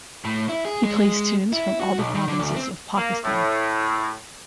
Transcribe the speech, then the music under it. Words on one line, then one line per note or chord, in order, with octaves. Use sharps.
He plays tunes from all the provinces of Pakistan.
A2
E4
G#4
G#3
G#3
E4
F#4
B1
D#3
D3
D2
C4
A#3
A2